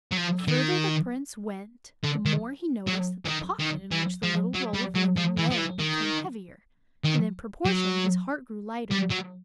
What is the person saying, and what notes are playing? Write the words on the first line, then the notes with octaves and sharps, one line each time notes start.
The further the Prince went the more he noticed that the pocket in which the little roll of linen lay became heavier, and in proportion his heart grew lighter.
F#3
F3
D#3
D3
D#3
F#3
E3
D#3
D#3
E3
F3
F#3
G3
F#3
F3
E3
F3
E3
D#3
D#3
F#3
G3
F#3